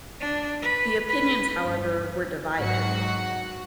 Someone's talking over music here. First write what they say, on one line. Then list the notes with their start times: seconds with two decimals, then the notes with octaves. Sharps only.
The opinions, however, were divided.
0.20 D4
0.62 B4
1.08 B4
1.64 G2
2.58 G#2 F#3 F#4 F#5 C#7